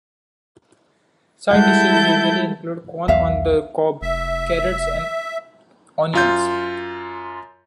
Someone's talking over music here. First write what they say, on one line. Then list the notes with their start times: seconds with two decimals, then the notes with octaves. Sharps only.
Side dishes usually include, corn on the cob, carrots, and onions.
1.51 G3 G#3 E4 A4 F#5 G6
3.08 B1 E2 E3 E5 F5
4.02 F1 E5
6.13 F#2 F4 G6